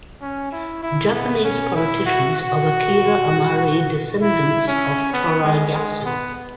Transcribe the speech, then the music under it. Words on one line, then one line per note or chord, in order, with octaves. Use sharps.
Japanese Politicians of Akira Amari descendants of Torayasu.
C#4
E4
E4
B3
C#4
E4
F#4
F#4
E4
C#4
B3
G#3
G#3
B3